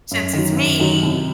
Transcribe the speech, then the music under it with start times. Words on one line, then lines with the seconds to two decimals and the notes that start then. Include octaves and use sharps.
since it's me,
0.11 F#2
0.33 D#3 F#3
0.56 F#2
0.80 D#3 F#3
1.03 C2